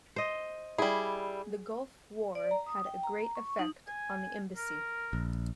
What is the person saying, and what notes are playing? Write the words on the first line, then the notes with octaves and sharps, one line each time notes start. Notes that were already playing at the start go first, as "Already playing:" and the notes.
The Gulf War had a great effect on the embassy.
C5 D#5
G3 E4 G#4
D5
A#5
D#6
G5
A#5
C#6
D#4
G#5
A#4
A#1